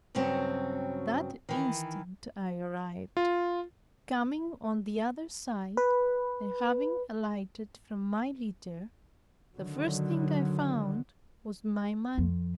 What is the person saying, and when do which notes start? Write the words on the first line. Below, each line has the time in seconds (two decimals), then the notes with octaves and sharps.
That instant I arrived, coming on the other side, and having alighted from my litter, the first thing I found was my money.
0.15 G2 C#3 F#3 C4 F#4
1.49 D#3 E3
3.17 F4
5.77 B4
9.56 D3 D#3 F#3
12.18 F2